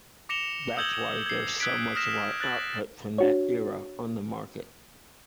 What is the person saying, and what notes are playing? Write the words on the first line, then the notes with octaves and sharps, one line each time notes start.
That's why there's so much of our output from that era on the market.
D6 A#6 C#7 E7 F7 G7
D#6 E6 G6 G#6 F#7 G7
G#6 C7
D#6 E6 F#6 G#6 B6 D7
D#6 F6 A#6 E7
F#6 A6 F#7
D4 F#4 C#5